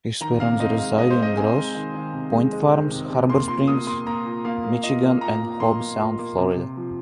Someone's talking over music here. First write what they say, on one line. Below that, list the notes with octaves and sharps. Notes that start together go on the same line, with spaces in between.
His parents reside in Grosse Pointe Farms, Harbor Springs, Michigan, and Hobe Sound, Florida.
D#3 A#5
C3 F5
C4 D#5
G#3 F5
G#3 D#5
C5
C4 D#5
C4 G#5
G#3
D#3
D#3
C3
G#3
G#3
D#3
C3
C3
A#3 C6
A#2 C6
A#3 D#6
A#3 C6
A#3 A#5
A#2
A#3 F5
A#3
A#2 D#5
A#3
A#2 A#5
A#2
A#3 C6
A#3
A#2
A#3
C3
C3
F3